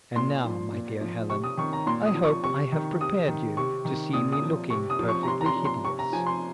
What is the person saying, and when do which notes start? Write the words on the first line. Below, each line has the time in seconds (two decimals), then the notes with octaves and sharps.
And now, my dear Helen, I hope I have prepared you to see me looking perfectly hideous.
0.16 A#2 C6
0.44 F3
0.73 A#2
1.01 F3
1.30 C3 C#6
1.44 D#6
1.57 D#3 C#6
1.73 A#5
1.86 A#2 C6
2.06 D#6
2.15 F3
2.24 C#6
2.43 C3 C#6
2.72 D#3
3.00 C3 D#6
3.28 D#3
3.57 C3 C#6
3.85 D#3
4.13 A#2 D#6
4.32 D#6
4.42 F3
4.70 C3 C#6
4.90 D#6
4.99 F3
5.09 C#6
5.23 A#5
5.28 C3 C6
5.41 A#5
5.46 C6
5.56 F3
5.65 C6
5.84 C3 C#6
5.99 A#5
6.13 F3 G#5
6.26 C6